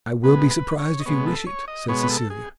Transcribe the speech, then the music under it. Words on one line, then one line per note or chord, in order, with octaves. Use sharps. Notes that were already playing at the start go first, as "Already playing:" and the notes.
"I will be surprised if you wish it," said Cecilia.
B2 G#3 B3 B4
B4
C#5
D#5
B2 G#3 B3 C#5
A4
C#5
D#5
B2 G#3 B3 C#5
B4
A4
G#4